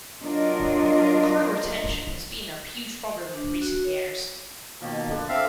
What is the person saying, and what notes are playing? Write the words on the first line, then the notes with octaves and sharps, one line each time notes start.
Crew retention has been a huge problem in recent years.
F#3 D4 F4 A#4 D#5
C5
D4
F#4
C#5
B2 D#3 F3 A#3
D3 D4
C4 E5 F5